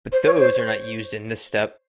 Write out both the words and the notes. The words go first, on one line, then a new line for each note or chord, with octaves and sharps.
But those are not used in this step.
C5
C#5
C5